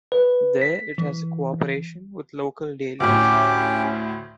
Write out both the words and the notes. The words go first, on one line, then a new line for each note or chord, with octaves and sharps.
There it has a cooperation with local dailies.
B4
B6
E3
D2 A2 C#4 G4 D6